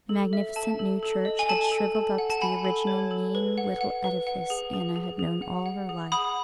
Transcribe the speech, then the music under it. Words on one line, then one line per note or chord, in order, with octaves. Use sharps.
The magnificent new church had shrivelled up to the original mean little edifice Anna had known all her life.
A4
E5
A4 A5
A4
A4
D#5
G#5
A4 A5
A4
A4
F#5
A5
F#5 G#5 B5
A4
C#5
A4
B4
F#5
F#5
B4
F#5
G#4
G#4
G#4
G#4
F#5
F#5
G#4
F#5 B5 D#6